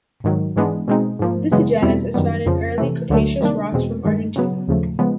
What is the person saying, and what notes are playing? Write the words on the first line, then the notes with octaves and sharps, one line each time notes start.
This genus is found in Early Cretaceous rocks from Argentina.
G#2 D#3 F#3
G#2 E3 G#3 B3 D4
B2 G#3 C4 D#4
G#2 F3 A#3
F#2 C#3 E3 G#3 B3
E2 B2 G3 C4 E4
F#2 D#3 G3 B3
F2 C#3 F3
C3 E3 A3
D2 D3 F#3 A3
C3 D#3 G3 A#3 D4
E2 B2 G#3 C4
G2 D#3 G#3
C#3 F#3 B3
D#2 C#3 F3 A3
C#3 F3 G#3 B3